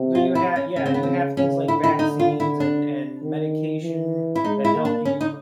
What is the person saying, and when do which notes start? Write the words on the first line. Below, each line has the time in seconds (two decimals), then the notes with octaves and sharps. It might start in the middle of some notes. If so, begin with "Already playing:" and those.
Do you ha yeah, you have things like vaccines and and medication that help you
Already playing: C3
0.15 F4
0.35 E4
0.56 C#4
0.76 C#3 C#4
0.86 C4
0.94 B3
1.03 C4
1.37 C#3 C#4
1.68 D3 E4
1.84 E4
1.99 D#4
2.19 F4
2.40 E4
2.60 D4
3.22 D#3
3.82 E3
4.35 E4
4.44 G#3 D#4
4.65 E4
4.75 A#3
4.85 D4
5.05 C#4
5.21 D#4